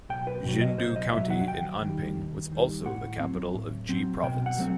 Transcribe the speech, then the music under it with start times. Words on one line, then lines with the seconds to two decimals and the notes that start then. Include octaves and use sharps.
Xindu County in Anping was also the capital of Ji Province.
0.09 B1 G5
0.27 B4
0.45 B2 F#3
0.61 D#5
0.78 B1 C5
0.96 D#5
1.13 B2 F#3 E5
1.30 F#5
1.48 D#2 G5
1.82 D#3 G3
2.17 D#2
2.52 D#3 G3
2.86 A2 F#5
3.20 F#3 C4
3.54 A2
3.89 F#3 C4
4.23 B2 G5
4.46 F#5
4.58 F#3 A3 C4